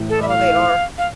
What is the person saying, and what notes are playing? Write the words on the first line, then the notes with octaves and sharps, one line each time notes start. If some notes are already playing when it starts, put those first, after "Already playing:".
Oh, they are.
Already playing: A2 E3 A3
A4
E5
F5
F5